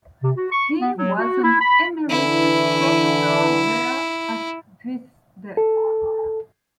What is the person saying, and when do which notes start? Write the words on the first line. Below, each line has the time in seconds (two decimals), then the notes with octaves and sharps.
He was an emeritus professor there at this death.
0.23 C3
0.36 F#4
0.52 C#6
0.80 B3
0.98 F#3
1.18 F#4
1.43 E4
1.60 B5
2.09 D3 E3 E4
5.57 A4